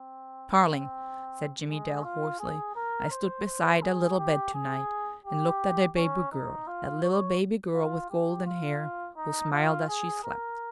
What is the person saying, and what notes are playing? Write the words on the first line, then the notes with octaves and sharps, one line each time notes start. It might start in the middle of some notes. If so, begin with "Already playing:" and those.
"Carling," said Jimmie Dale hoarsely, "I stood beside a little bed to-night and looked at a baby girl--a little baby girl with golden hair, who smiled as she slept."
Already playing: C4
C4
G#3
F4
G#4
A#4
C5
C5
G#4
G4
G#4
G4
C#4
D#4
F4
C#5
F4
G4
F4
D#4
F4
G#4
A#4